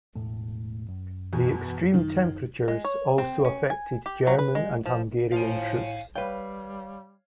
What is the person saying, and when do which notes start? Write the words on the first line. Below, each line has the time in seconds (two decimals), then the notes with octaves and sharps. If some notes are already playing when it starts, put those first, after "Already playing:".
The extreme temperatures also affected German and Hungarian troops.
0.15 E1 A2 A3
0.88 F#2
1.33 E2 B2
1.94 D#3
2.68 G#3
2.85 C#5
3.18 C4
3.45 C#4
3.70 G#5
4.06 G4
4.27 F#3
4.39 B4
4.55 G#3
4.86 F3
5.32 A2 F3 F5 G#5
6.15 G3 B4 C#5 F5 G5